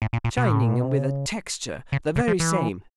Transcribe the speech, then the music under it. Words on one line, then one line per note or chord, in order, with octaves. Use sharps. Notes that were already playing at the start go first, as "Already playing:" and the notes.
Shining and with a texture--the very same.
A2
A#2
A#2
B2
A2
A#2
B2
C3
C#3
C#3
C#3
F3
E3